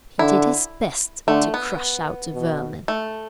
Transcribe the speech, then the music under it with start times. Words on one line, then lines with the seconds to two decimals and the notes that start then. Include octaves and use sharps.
He did his best to crush out the vermin.
0.19 D3 E4
1.27 D3 A3
1.54 B3
2.34 B2
2.88 A3